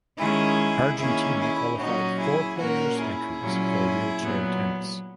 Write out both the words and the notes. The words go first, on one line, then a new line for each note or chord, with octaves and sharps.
Argentina qualified four players entries for wheelchair tennis.
D#3 G#3 C#4 E4 G#4
D#3 A#3 C#4 E4 G#4
E4 G#4
A#2 F#3 C#4 D#4 F#4
E4 G#4
A#2 A#3 C#4 F#4 A#4
E4 G#4
A#2 F#3 A#3 C#4
A#2 F#3 B3